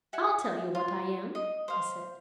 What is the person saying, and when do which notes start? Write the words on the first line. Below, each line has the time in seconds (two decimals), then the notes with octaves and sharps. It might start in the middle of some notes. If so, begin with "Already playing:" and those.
"I'll tell you what I am," I said.
0.13 E5 F#5 G#5
0.75 F4
1.35 D#5
1.68 C5 F5